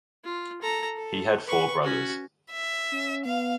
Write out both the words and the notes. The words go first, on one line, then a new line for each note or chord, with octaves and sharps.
He had four brothers.
F4
A4 A#5
A4
B4 C#6
C#4 F#4
E5
C#4
B3 F5